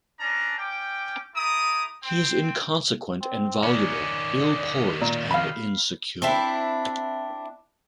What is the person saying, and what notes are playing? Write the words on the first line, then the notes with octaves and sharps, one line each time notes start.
He is inconsequent and voluble, ill poised and insecure.
C#4 D4 A5 A#5
C#4 G5 D6
A3 E4 A#5 D6 D#6
C4 G5
C4
D#3 C#4 D5
A#2
F5 B5
C4 D4 E4